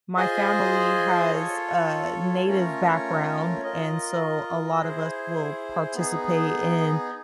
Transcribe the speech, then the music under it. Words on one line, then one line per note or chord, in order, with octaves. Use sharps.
my family has a Native background, and so, a lot of us will participate in
F4 G#4 C5 D#5 G#5
F4 A4 C#5
A3 C#4 F4 A#4 C#5
F4 A#4 D#5
E4 G#4 C5
B3 D#4 G#4